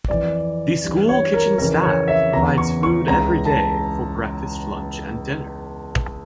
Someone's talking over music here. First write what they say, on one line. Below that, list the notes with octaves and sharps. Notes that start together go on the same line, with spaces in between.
The school kitchen staff provides food every day for breakfast, lunch, and dinner.
F2 E3 D5
G2 E3
C#5
A#4
F2 C#3 E3 A#4
C#5
E5
E2 C#3 E3 A#5
C#6
C#6
C#2 C#3 E3 A#5
A5